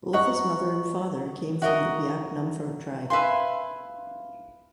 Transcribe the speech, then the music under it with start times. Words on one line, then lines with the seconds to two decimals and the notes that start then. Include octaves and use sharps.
Both his mother and father came from the Biak Numfor tribe.
0.13 C#5 D#5 F#5 A#5 C#6
1.62 F#4 A#4 D#5 E5
3.10 B4 E5 F5 G#5 C6